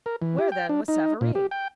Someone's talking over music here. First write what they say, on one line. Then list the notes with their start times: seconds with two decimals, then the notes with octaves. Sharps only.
Where, then, was Savareen?
0.06 A#4
0.22 E3
0.38 G4
0.52 G5
0.69 D4
0.88 D#4
1.21 A#2
1.35 G4
1.51 G5